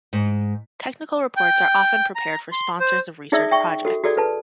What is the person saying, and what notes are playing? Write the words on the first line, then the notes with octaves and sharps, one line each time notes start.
Technical reports are often prepared for sponsors of research projects.
G#2
G5
A#5
C6
C5
D#4 G#4 D5 E5 D#6 E6
E5 G5 C#6
F#4 A4
F#4 G#4 A4 D5
A4 B4 A5